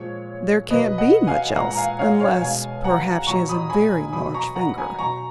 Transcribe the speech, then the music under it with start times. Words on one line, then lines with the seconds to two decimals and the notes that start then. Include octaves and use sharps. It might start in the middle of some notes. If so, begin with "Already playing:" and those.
"There can't be much else--unless perhaps she has a very large finger."
Already playing: A#2 F3 G#3 C#5
0.70 B2 F#3 B4 D#5
0.98 D#5 F#5
1.27 F5 G#5
1.55 A#2 G#3 F#5 A#5
1.70 A#5
1.77 F5 G#5
1.99 C#5 F5
2.20 C#5 F5
2.41 B2 G#3 F5 G#5
2.84 F#5 A#5
3.27 A#2 F#3 A#5 C#6
3.49 B5 D#6
3.70 G#5 B5
4.13 B2 F#3 B5 D#6
4.34 A#5 C#6
4.56 F#5 A#5
4.78 G#5 B5
4.99 B2 F#3 A#5 C#6